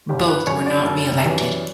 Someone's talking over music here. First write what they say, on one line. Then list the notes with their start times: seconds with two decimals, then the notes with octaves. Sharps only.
Both were not re-elected.
0.09 G1 G4
0.28 B4
0.47 F#2 C#3 C#5
0.66 D5
0.85 F#1
1.23 F#2 E3 G3